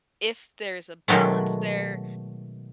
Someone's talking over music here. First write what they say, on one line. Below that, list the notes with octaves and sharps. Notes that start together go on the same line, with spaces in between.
if there's a balance there
B2 D#3 F#3 G#3 A3